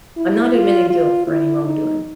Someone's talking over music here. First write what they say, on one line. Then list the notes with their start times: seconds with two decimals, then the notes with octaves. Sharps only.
I'm not admitting guilt for any wrongdoing.
0.17 E4
0.53 F4
0.90 F4
1.27 E4
1.64 D#4